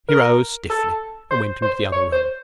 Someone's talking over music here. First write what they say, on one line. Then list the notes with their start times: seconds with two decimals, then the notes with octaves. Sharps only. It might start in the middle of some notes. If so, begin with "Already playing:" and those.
He rose stiffly and went into the other room.
0.09 A#4
0.70 A4
1.31 C5
1.62 C5
1.92 C#5
2.12 C5